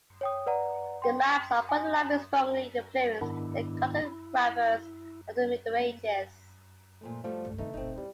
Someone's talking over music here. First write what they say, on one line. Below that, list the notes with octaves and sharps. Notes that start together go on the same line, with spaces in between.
The maps of Ptolemy strongly influenced the cartographers of the Middle Ages.
C#5 G5 D#6
B4 D5 F#5 A#5
G5 C6
G#5
G#2 D#3 B3 D4 E4
E4
A#3
A#2 F3 A3
F3 G3 A3 F#4
C#2 G2
C3 D#3 A3 B3 D#4
F1 A#1 C4 D#4
G3 E4